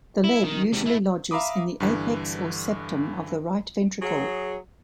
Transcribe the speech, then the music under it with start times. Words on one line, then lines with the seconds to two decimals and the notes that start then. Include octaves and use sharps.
The lead usually lodges in the apex or septum of the right ventricle.
0.24 E4
0.43 D#3
0.73 G#2 C3
0.86 A3 E4
1.31 E5 F5 A#5 B5 D6 D#6
1.80 G2 D3 E3
4.02 F#3 G#4